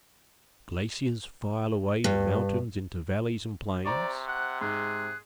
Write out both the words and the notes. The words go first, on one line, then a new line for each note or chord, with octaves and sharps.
The glaciers file away the mountains into valleys and plains.
G2
C3 C5 D5 A#5 C#6
F#5 F#6
G#2 G#4 F#6